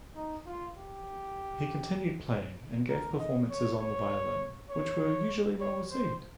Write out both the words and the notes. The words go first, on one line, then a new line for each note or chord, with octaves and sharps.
He continued playing and gave performances on the violin, which were usually well received.
D#4
F4
G4
A#4
D#5
C#5
C#5
C#5
C#5
C5